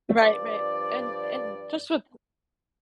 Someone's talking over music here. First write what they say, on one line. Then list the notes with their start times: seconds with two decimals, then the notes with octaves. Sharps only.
Right right, and and just with
0.19 G2 F3 D5